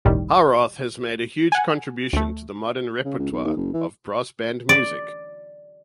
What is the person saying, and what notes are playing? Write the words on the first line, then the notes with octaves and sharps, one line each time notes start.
Howarth has made a huge contribution to the modern repertoire of brass band music.
G1 C#2 A2 D#3 G3
F#5 G#5
D2 A3
C#3
C#2
B1
D#2
F#1
E3
D5